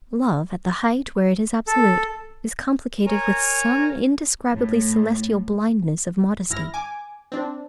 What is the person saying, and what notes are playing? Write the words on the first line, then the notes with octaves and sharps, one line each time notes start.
Love, at the height where it is absolute, is complicated with some indescribably celestial blindness of modesty.
A4
A#4 C#5 G#5 A#5
A2
G1 E4 F6 A#6
G#5 D6
C4 D4